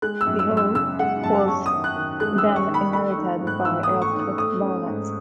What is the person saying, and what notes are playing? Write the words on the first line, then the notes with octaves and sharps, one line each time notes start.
The hall was then inherited by the Radcliffe Baronets.
G#3 F#6
E6
F#2
E6
F#2
E6
C#3 E6
G#3 F#5
F#2 A5
C#4 C#6
D#6
D#3
F#6
D#3
G#3 F#6
E6
C#4
C#6
D#3
B5
A3 B5
C#6
D#4
G#2
F#6
E3 E6
D#6
A3
C#6
D#4
D#6
A3 D#6
C#4
G#2